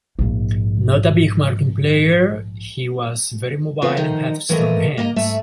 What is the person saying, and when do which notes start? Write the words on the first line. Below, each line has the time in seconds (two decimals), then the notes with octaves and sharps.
Not a big marking player, he was very mobile and had strong hands.
0.19 A#1 G#2
3.82 A2 E3 A3 B3 C4 F4
3.97 D#3 F3 D#4
4.49 E3 F3 A3 A#4 C#5 D#5
4.98 A#3 D#5 A#5
5.16 G#2 A3 E5